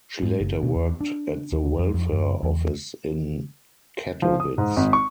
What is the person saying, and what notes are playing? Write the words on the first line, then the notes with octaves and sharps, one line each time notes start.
She later worked at the welfare office in Kattowitz.
G#2
F#1
B2
E2
D4
D#2
F2
F2
F#2
E2
F3
D#6
G#2
G#1
C#6